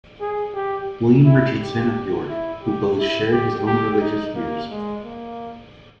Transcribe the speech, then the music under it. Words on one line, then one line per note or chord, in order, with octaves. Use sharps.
William Richardson of York, who both shared his own religious views.
G#4
G4
E4
G4
E4
G4
E4
G4
G4
D#4
A#3
G#3
A#3